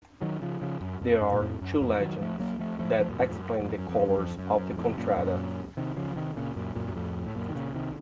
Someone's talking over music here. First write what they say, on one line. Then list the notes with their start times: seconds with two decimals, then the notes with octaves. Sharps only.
There are two legends that explain the colors of the contrada.
0.21 D#3 F#3
0.42 C#3 F3
0.62 C#3 F3
0.81 F#2
1.01 F2
1.21 F#2
1.32 A#2
1.40 F2 A2
1.61 F#2
1.81 F2 A2
2.00 D#3 F#3
2.21 F3 A3
2.39 F#3 A#3
2.59 F3 A3
2.79 F3 A3
2.99 F3 A3
3.10 F#2 A#2
3.19 F2 A2
3.29 F2 A2
3.39 F#2
3.59 F2 A2
3.78 F#2
3.89 F2
3.99 F2
4.08 F#2
4.18 F2
4.39 F#2
4.57 F#2
4.72 F#2
4.77 F2 A2
4.89 C3
4.98 F#2 A#2
5.12 A2
5.18 F#2 A#2
5.77 C3 D#3
5.97 C#3 F3
6.11 F3
6.16 C3 D#3
6.36 A#2 C#3
6.56 F#2 A#2
6.75 F#2 A#2
6.87 F#2
6.96 F2 A2
7.26 A2
7.36 F#2 A#2
7.49 D#3
7.55 A#2 C#3
7.75 C3 D#3